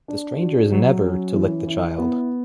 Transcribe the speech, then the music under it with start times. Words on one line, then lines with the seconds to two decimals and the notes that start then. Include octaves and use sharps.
The stranger is never to lick the child.
0.08 D4
0.40 F#4
0.72 F#3
1.03 C#4
1.34 E3
1.67 E4
1.98 B3